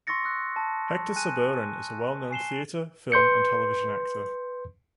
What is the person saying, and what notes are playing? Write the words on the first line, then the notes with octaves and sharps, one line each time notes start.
Hector Soberon is a well known theater, film and television actor.
C6 C#6 E6 A6 A#6 C#7
D#6 E6 F#6
A5
G#5 F#6 D#7
G#5 C7 E7 G7
B4 C6 G6 C#7